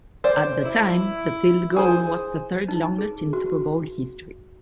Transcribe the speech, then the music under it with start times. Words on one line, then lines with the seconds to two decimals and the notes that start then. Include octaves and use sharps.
At the time, the field goal was the third longest in Super Bowl history.
0.24 C5 D5
0.62 E4
1.76 G#4 C5
2.68 D#4
2.98 G#4
3.33 F#4